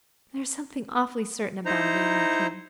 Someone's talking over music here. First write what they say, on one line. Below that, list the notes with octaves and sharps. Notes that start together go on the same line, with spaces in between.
There is something awfully certain about a man like him.
D#4 E4 C5 A#5